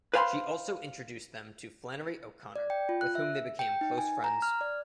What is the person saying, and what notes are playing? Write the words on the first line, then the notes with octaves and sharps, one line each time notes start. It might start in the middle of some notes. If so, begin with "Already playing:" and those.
She also introduced them to Flannery O'Connor, with whom they became close friends.
B4 C5 F5 G#5 B5 C6
D5
G5
F4
F#6
E5
G5
D#4
G#5
A#5
F6
D5